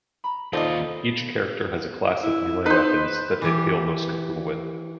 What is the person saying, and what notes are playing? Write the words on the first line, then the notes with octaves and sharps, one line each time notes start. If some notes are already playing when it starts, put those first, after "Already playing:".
Each character has a class of melee weapons that they feel most comfortable with.
A#5 B5
D#2 D#4 F4 A4 C5 D5 D#5
E4
D#4 B4 C5
E3 G4